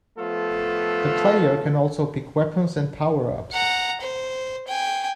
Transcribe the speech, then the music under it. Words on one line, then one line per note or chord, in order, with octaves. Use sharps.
The player can also pick weapons and power-ups.
F3 A3 B3 F4 A4
F#5 A#5
C5
G5 G#5